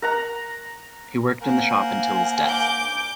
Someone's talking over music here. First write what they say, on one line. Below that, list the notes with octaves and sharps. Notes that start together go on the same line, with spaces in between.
He worked in the shop until his death.
A#4 F#5 A#5
A#3 A#4 C5 F#5 G#5
D6 G6